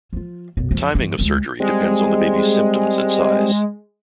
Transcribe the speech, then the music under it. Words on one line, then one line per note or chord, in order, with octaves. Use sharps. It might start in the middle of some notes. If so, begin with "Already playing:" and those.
Timing of surgery depends on the baby's symptoms and size.
F3 F4
B1 F#2
F2 F3
G2 E3
D2 G#3
G3 G#3 C4